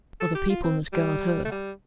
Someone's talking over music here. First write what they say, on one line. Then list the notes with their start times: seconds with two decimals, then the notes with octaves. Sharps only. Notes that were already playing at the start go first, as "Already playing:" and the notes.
Other people must guard her.
0.21 A4
0.35 G4
0.50 F4
0.64 C4
0.93 G3
1.45 A3
1.52 G3